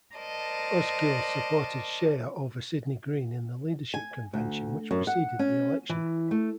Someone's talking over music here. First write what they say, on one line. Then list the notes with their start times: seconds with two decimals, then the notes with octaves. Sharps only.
Uskiw supported Scheyer over Sidney Green in the leadership convention which preceded the election.
0.15 A#4 C5 D5 D#5 A5
3.94 G#5
4.34 D2
4.91 F#2
5.07 F#5
5.39 C#4
5.89 E3
6.31 A3